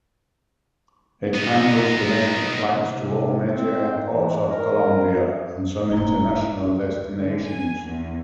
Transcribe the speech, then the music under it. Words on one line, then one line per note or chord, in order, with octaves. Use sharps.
It handles domestic flights to all major airports of Colombia and some international destinations.
B3 D#4
C3
C4
E3
A#4
F1 A#5 G7
D2
D3
G#5
E2